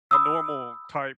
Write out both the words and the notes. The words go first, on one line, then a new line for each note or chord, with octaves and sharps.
a normal type,
B5 D#6 E6